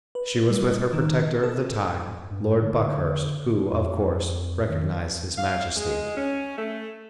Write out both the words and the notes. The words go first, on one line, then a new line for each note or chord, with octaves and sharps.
She was with her protector of the time, Lord Buckhurst, who, of course, recognized his majesty.
B4
G3
D#3
A4
G2
D3
F2
D#3
F5
G#3
C#4
A3